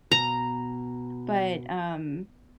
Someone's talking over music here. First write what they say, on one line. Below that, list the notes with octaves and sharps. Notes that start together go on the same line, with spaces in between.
But, um,
B2 A#5